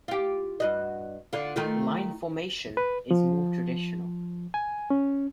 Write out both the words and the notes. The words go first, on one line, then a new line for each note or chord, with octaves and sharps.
Line formation is more traditional.
F4 G4
G2 F#4 D#5
D3 F4
D#3 A3 F4
B4
F3
G#5
C#4